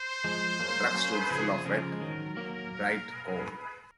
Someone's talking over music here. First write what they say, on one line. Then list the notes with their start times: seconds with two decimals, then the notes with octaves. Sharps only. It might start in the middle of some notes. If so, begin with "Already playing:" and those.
The trucks stood full of wet, bright coal.
Already playing: C5
0.24 F3 G#3
0.59 F#3 A#3
0.95 A#3 C#4
1.31 C#3 F3 G#4
1.66 C#3 F3 A#4
1.92 G#3
2.01 D#3 F#3
2.36 F#3 A#3